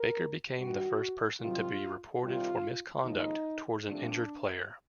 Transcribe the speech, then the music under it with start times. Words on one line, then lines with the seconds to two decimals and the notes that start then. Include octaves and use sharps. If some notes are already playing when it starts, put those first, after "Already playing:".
Baker became the first person to be reported for misconduct towards an injured player.
Already playing: A#4
0.58 G2 D#3 G3 F#4
1.40 C2 C3 D#3 F#3 F4
2.22 C2 C3 D#3 G3 F4
3.04 D#2 C#3 F3 G#3 D#4
3.86 C2 C3 F3 A3 D4